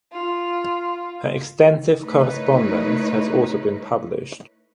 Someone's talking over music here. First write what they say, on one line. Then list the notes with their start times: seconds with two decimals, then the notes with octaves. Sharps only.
Her extensive correspondence has also been published.
0.12 F4
2.02 A3 D#4 E4 A#4 B4 C#5